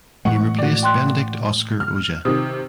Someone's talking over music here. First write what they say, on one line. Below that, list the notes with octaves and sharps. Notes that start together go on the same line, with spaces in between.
He replaced Benedikt Oskar Oja.
A2 E3 G#3 F#5 C#6
F#4 D5
G5 C6 F#6
F6
C3 D#3 D#6